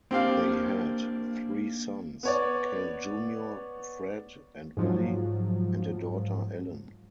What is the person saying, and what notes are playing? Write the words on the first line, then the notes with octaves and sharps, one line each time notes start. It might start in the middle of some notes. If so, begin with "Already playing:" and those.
They had three sons, Cal Junior Fred, and Billy; and a daughter, Ellen.
A#3 C4 D4 G4 F5
B3 C#5 D5
G#2 F3 F#3